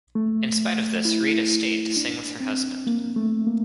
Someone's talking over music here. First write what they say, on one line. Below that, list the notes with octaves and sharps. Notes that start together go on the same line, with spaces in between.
In spite of this, Rita stayed to sing with her husband.
A3
E4
D4
C4
A#3
A3
A#3